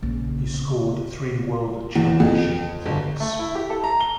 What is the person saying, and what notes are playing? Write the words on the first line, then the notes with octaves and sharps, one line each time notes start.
He scored three World Championship points.
A#1 C#3
E2
F2
G1
A3
E4
G4
A4
A#5
G7